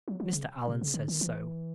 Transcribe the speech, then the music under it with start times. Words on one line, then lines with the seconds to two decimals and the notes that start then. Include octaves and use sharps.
Mr. Allan says so.
0.08 F#3
0.20 F#3
0.33 C#3
0.67 C3
0.81 C#3
0.94 D3
1.08 D#3
1.21 E3